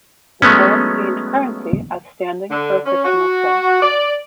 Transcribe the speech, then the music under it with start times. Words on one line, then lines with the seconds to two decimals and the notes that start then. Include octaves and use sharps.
The term gained currency as standing for a fictional place.
0.42 F#3 G#3 A3 B3 C#4
2.50 D3
2.86 C#4
3.05 F#4
3.82 D5